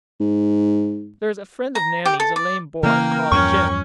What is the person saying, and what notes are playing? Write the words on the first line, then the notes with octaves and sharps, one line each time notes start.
"There's a friend of Nanny's, a lame boy, called Jim."
G#2
A#5
G4
A4
D5
C#3 E3 A#3 A#4 G5
E2 G2 F3 C#4 C#6